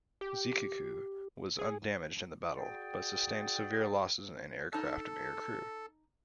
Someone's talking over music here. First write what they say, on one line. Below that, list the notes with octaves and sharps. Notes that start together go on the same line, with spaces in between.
"Zuikaku" was undamaged in the battle, but sustained severe losses in aircraft and aircrew.
G4
G#4
F#4 G#4 D5 G5
D#4 A4 A5